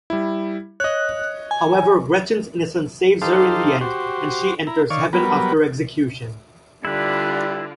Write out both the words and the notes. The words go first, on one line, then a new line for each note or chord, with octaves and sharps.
However, Gretchen's innocence saves her in the end, and she enters Heaven after execution.
G3 E4
C#5 D#5 F#6
G#5
D#4 G4 A4 C5 F5
F#4 G4 C5
E4 A#5
D#3 C#5 D5 F5 C#6
F#3 G3 B3 A#4 B4
D3 G3 E4 F4 B4